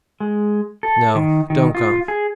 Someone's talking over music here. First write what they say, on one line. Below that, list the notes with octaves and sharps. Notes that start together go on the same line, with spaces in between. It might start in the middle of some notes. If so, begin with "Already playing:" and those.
"No. Don't come!"
G#3
A4
D#3
D#3
F4
G#4